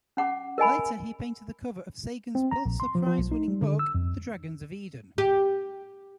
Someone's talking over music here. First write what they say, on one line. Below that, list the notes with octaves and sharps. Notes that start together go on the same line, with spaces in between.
Later he painted the cover of Sagan's Pulitzer Prize-winning book "The Dragons of Eden".
C#4 F#5 D6
A#4 D#5 G#5 B5
C4
A#5
A#1
C6
F3
F3
B1
D#4
G3
D3
E6
F2
G4